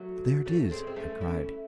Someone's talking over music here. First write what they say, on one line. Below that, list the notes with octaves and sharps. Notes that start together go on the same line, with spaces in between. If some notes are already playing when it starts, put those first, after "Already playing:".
"There it is!" I cried.
Already playing: F#3 A3
A3 C#4
G#3 C4
C4
A3 C#4
C#4 E4